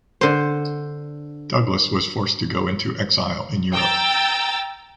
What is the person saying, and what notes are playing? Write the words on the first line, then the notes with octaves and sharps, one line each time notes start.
Douglas was forced to go into exile in Europe.
D3 C5
G5 A#5 E6 A6